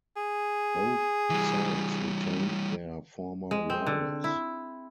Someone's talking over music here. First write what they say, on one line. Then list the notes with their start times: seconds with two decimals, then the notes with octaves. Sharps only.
Both sides retained their former lawyers.
0.16 G#4
1.30 E3 G3
3.51 G#3
3.70 C4
3.86 D3
4.24 E4